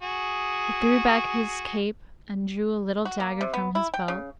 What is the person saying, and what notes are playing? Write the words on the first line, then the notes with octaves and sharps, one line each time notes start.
He threw back his cape and drew a little dagger from his belt.
F#4 G#4
F#4
A#3
C3
B3
E4
G5
C#3